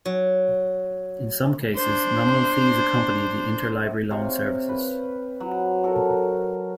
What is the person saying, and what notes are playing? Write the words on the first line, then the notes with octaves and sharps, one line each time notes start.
In some cases, nominal fees accompany the interlibrary loan services.
F#3
D4 C5
C3 C#5 F5
B4
F#3
F#4 A4 A#4